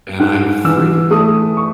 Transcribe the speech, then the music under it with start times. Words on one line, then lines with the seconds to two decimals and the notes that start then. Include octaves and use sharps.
and I freak,
0.20 G#2 F#6
0.65 E3 E6
1.11 A3 D#6
1.57 C#6